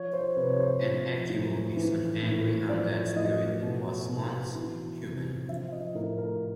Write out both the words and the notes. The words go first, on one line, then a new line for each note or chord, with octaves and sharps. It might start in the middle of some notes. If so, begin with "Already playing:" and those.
An ekimmu is an angry undead spirit that was once human.
Already playing: F3 C#5
C5
C3 B4
C#5
C5
F3
A2
E3
A2
F3 D5
A2 D#5
B2
B2
E3
C3
F3 E5
D#5
A2 A#4
A#4